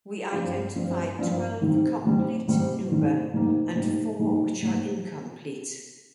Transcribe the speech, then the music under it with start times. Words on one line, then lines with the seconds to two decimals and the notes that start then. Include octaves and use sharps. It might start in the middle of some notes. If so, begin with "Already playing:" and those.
We identify twelve complete nuba and four which are incomplete.
0.32 G2 F3 C4 F4
0.75 G2 F3 C4 F4
1.19 G2 F3 C4 F4
1.61 G#2 D#3 G3 C4
2.04 G#2 D#3 G3 C4
2.47 G#2 D#3 G3 C4
2.90 G#2 D#3 G3 C4
3.34 G#2 G3 A#3 D#4
3.76 G#2 G3 A#3 D#4
4.19 G#2 G3 A#3 D#4
4.61 G#2 G3 A#3 D#4